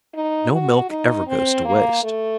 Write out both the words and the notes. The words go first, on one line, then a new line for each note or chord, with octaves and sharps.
No milk ever goes to waste.
D#4
F#4
D#4
C4
A#3
A3